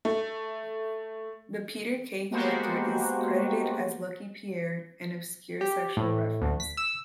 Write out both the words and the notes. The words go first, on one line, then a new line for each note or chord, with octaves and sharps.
The "Peter Kay" character is credited as "Lucky Pierre", an obscure sexual reference.
A3
G#3 A#3 B3 F#4 G4 C5
G4
A2
D2
B6
E6